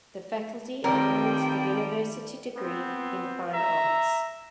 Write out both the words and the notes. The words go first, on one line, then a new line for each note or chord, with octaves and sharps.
The faculty awards the University Degree in Fine Arts.
D#3 F3 G3 C4 A#4 B4 C#5 G5
B3 C4
E5 A#5